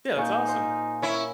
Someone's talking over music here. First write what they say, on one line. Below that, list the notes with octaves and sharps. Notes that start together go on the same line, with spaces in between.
Yeah, that's awesome.
A#2 D#4 F5 G#5 C#6 G6
C5
C#4 E4 A#4 C#5 E5